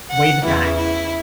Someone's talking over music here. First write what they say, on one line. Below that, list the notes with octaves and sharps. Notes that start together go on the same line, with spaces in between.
Weigh the facts.
F#5
E2 C#3 E3 E4
E4